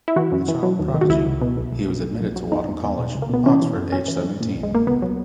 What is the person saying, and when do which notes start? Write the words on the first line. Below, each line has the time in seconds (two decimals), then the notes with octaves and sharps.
A child prodigy, he was admitted to Wadham College, Oxford aged seventeen.
0.08 E4
0.16 E3 F#4
0.32 F#2
0.48 E3
0.63 F#3
0.79 D#2
0.94 D#3
1.01 F#4
1.10 C#2 E4
1.26 C#2
1.42 B2
1.57 B1
1.73 B1
1.89 B1
2.04 B1
2.21 B1
2.36 F#3
2.52 E2 D#4
2.68 E2
2.83 E2
2.99 B2
3.15 C#2
3.22 A#3
3.30 B2 B3
3.46 E3 C#4
3.62 E3
3.77 F#2
3.92 F#2 C#4
4.08 E3
4.24 F#2
4.41 A#2
4.56 A#1
4.63 G#3
4.71 A#1 A#3
4.87 C#2 B3
5.02 F#3